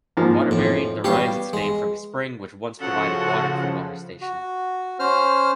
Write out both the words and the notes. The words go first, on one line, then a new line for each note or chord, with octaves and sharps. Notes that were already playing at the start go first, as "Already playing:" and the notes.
Waterbury derives its name from a spring which once provided water for water station.
G#2 F3 A#3
F2 A2
G3 B3 G4 C#5 F5
G#3
C#3 F3 F#4 A4 F#5
F#4
C#4 C5 F6